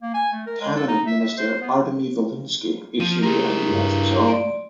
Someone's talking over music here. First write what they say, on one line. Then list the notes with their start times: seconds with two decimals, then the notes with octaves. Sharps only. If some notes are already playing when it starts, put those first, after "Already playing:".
Cabinet Minister Artemy Volynsky issued the idea as his own.
0.02 A#3
0.14 G#5
0.33 A3
0.46 A#4
0.60 G#3
0.76 A4
0.88 D#4
1.07 E5
1.21 E5
1.38 C5
1.61 B3
3.00 F3 D#7
3.23 E4 G4 G#4 A#4
3.66 G2
4.28 D5 C6 D7